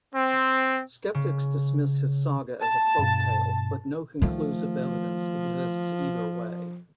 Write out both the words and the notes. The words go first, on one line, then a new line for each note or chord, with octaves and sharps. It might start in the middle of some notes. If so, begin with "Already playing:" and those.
Skeptics dismiss his saga as a folktale, but no conclusive evidence exists either way.
C4
C#3
A5
G2 B2
D#3 F3 A3